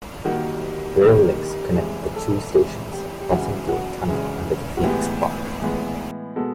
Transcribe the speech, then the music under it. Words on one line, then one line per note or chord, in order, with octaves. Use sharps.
Rail links connect the two stations passing through a tunnel under the Phoenix Park.
D#3 G3 A#3 F#4
D#3 G3 A#3
C3 E3 G#3 G#4
A4
C3 E3 G#3 G#4
G4
G4
C#3 E3 G#3 F#4
F#4
C#3 E3 G#3
F#4
A2 E3 G#3 B3 G4
A2 E3 G#3 B3
B2 G#3 B3 A4